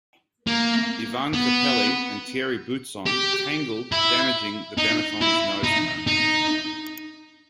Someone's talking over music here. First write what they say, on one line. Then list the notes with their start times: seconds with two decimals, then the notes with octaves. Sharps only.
Ivan Capelli and Thierry Boutsen tangled, damaging the Benetton's nosecone.
0.47 A#3
1.33 B3
3.06 G4
3.92 E4
4.78 D#4
5.22 E4
5.64 D#4
6.07 D#4